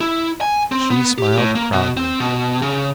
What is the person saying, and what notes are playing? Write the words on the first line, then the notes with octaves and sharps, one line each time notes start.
She smiled proudly.
E4
G#5
C4
B3
G4
A2
A#3
B2
C4
B2
C#3